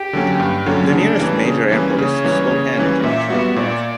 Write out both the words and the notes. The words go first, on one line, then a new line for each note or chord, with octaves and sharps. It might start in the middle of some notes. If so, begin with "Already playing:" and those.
The nearest major airport is Spokane International, north.
Already playing: G4
D3 F#3 A#3 C#4
G2
D3 F#3 A#3 C#4
C#3 D4
E3 G3 A#3 C#4
C#3
E3 G3 A#3 C#4
C#3 C#5
E3 G3 A#3 C#4
C#3
E3 G3 A#3 C#4
A#2 E5
G3 B3 F#4
A#2 D5